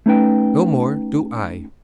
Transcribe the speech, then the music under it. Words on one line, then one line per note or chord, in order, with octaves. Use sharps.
"No more do I!"
A3 C#4 D#4 B4 G5